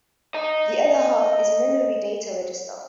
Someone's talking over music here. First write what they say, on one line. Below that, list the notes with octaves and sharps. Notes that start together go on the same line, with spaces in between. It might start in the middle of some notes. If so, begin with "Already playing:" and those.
The other half is a memory data register.
D#5 A#5